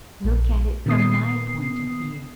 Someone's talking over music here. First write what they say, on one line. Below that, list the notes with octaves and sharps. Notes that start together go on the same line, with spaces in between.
Look at it from My point of view.
A#1
A#2 D#3 B3 D#6 C7